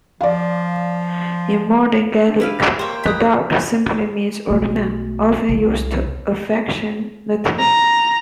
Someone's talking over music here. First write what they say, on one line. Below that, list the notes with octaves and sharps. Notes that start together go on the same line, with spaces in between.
In modern Gaelic, "bodach" simply means "old man", often used affectionately.
F3 D5 F5
D4 G4
E4 B4 F5
A#3 G4 C5 C#5 G5
B5 D#6 F#6 B6
B1 A3
C2
A#5